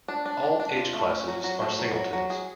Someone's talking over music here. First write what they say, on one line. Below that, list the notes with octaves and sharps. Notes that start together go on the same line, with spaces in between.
All "H"-classes are singletons.
D4
D4
D4
D4
F4
A3
C#4
F#3
F#3
A3
F#3
F#3
F#3
G#4